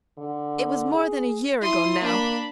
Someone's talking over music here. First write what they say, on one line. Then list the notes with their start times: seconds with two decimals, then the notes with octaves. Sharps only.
It was more than a year ago now.
0.17 D3
0.92 G#4
1.62 E4 C6 D#6
2.02 A#3 D4 B5